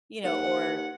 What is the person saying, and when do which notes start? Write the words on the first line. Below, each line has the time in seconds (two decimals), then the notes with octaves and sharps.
You know, or,
0.24 D#2 F#5